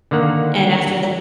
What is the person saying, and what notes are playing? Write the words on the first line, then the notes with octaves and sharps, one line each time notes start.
and after
D3 D#3 A#3 F#5